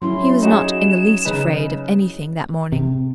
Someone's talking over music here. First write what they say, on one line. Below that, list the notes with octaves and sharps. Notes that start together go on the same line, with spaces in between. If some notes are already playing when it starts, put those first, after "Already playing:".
He was not in the least afraid of anything that morning.
F#3 C#4 E4 C6
D#4 F#4 G#4 E7
C#3 D#4 B4
C3